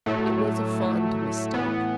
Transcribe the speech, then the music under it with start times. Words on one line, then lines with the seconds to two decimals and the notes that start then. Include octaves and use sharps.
It was a fond mistake.
0.06 A2 F#3 A3
0.80 A2 F#3
1.54 A2 E3 B3